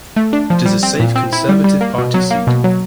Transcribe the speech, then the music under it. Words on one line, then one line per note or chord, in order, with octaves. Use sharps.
It is a safe Conservative Party seat.
A3
D4
F3
G3
C4
A#2
C4
E4
G3
G3
A#3
B2
F#3
A#3
B2
F#3